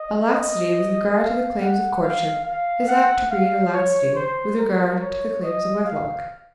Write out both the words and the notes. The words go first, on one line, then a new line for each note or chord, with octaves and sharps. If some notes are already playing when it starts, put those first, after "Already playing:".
A laxity with regard to the claims of courtship is apt to breed a laxity with regard to the claims of wedlock.
Already playing: D#5
D#5
F5
F#5
F5
F5
F#5
F5
C#5
C5
A#4
C#5
D#5
F5